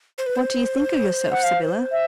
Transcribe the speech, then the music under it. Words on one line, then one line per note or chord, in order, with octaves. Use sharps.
"What do you think of yourself, Sybylla?"
C5
B4
C5
F#5
F5
E5